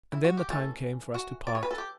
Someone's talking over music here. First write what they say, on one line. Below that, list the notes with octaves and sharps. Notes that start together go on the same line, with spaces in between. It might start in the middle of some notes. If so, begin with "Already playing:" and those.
And then the time came for us to part.
E4
F#4
G4
E3 A3 C#4 A4
F#4
D5
C#5
B4
A4
G4